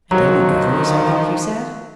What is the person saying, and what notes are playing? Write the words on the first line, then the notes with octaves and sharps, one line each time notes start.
"A daily governess, I think you said?"
D#3 F3 F#3 A#5